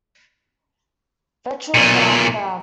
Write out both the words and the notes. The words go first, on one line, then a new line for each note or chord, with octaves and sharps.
Ventrals dark brown.
B1 A#2